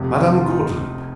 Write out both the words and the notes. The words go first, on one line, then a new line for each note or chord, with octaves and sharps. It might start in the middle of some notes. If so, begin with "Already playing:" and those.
"Madame Gordeloup?"
Already playing: F1 F2 C3 G4
F4
D#4